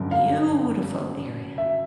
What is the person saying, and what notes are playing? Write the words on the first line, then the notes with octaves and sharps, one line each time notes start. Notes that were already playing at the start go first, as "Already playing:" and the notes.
Beautiful area.
Already playing: G1 F#2 F#3
F5
E5